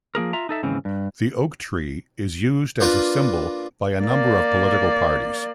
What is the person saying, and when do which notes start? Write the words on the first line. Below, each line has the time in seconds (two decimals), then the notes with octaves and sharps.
The oak tree is used as a symbol by a number of political parties.
0.15 F3 A#3 G#4 A#4
0.33 F4 E5 A#5
0.49 D#4 A4 E5
0.63 D#2 G#2 C#3 E3 C4 C#4
0.85 G2
2.80 A#3 D4 F4 A#4 B4
4.00 A#3 D5